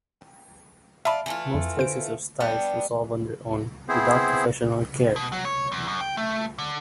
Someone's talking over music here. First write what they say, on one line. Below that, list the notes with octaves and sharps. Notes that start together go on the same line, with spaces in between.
Most cases of styes resolve on their own, without professional care.
F4 D5 E5 A5 B5
E3 A3 F4
F2
D3 C5 D7
G3 B3 D4
B3 C4 E4 G#4 C5
B2
F#3
C#5
E2
F#2
G5
A3
D3